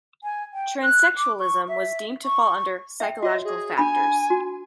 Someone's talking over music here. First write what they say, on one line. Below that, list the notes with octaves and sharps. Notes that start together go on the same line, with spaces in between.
Transsexualism was deemed to fall under 'Psychological factors'.
G#5
G5
F#6
D6
C#6
E5
C#6
E5 G5
F#4 C#5 D#5
G#4
D4 G#5 B5
F#4